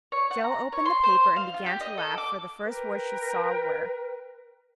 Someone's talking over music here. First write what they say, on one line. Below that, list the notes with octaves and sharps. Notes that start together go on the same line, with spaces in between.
Jo opened the paper and began to laugh, for the first words she saw were...
C#5
F#5
A#5
C#5
C6
C5
F5
F4
G4
D#5
A4
D6
A#4 B4 G5